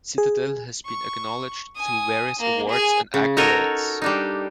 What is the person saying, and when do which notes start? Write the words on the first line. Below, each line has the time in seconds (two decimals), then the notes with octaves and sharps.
Citadel has been acknowledged through various awards and accolades.
0.18 G#4
0.85 C#6
1.75 G#5 D#6
2.39 A#3
2.69 G#4 G#5
3.14 C#3
3.37 D#4 F#4 A4 A#4 C#5 D#5
4.02 G3 D4 D#4